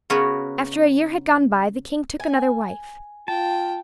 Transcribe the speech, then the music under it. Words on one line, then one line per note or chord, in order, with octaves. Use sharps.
After a year had gone by, the king took another wife.
C#3 B3 F#4 A#4 B4 C#5
G#5
F4 G5 A5